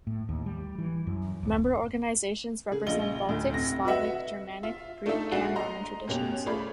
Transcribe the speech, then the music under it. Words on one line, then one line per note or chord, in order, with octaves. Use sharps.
Member organizations represent Baltic, Slavic, Germanic, Greek and Roman traditions.
A2
D#2
G3
E3
F#2
D1
C#3 G#4
A#1 F4 D#5 G7
D2 A2
F1 A#6
F#4 B4 D#5 E5 F#5
F4 E5
A3 D4 D#4 F4 A4 E5
A#1 D4 F#4 F#5 C7
D#5 A#5 C6
F#2 B2 A#3 C#4 G4 F7
A3 F4 G#4 D5 B5